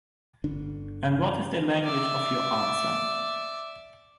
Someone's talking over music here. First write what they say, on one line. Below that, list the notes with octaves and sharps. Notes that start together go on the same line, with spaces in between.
And what is the language of your answer...?
G1 D3 D4
D5 E5